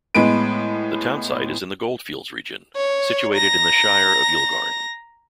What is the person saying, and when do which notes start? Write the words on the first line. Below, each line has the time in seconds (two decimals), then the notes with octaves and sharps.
The townsite is in the goldfields region, situated in the Shire of Yilgarn.
0.15 A2 G#3 B3 B4 D7
2.76 C#5
3.37 A#5 A#6